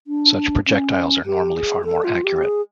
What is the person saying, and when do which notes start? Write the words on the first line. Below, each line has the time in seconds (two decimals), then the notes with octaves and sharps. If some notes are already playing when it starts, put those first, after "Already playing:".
Such projectiles are normally far more accurate.
0.07 D4
0.67 C#4
1.26 G4
1.55 G#4
1.85 A4
2.04 F4
2.24 G4
2.44 G#4